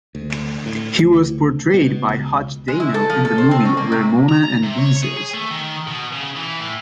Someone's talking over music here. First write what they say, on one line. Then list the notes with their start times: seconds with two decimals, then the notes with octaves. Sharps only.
He was portrayed by Hutch Dano in the movie "Ramona and Beezus".
0.15 D2
0.66 A2
1.00 D2
1.74 B2
2.09 C#2
2.68 G#3
2.80 E4
2.94 A4
3.10 F3
3.25 A4
3.38 C5
3.51 C4
3.65 C#4
3.77 A#3
3.92 C3
4.29 A#5
4.63 C3
4.78 C#5
5.03 G#4
5.17 G#4
5.34 A3
5.51 D#3
5.87 B2
6.12 C#3
6.36 E3
6.60 A2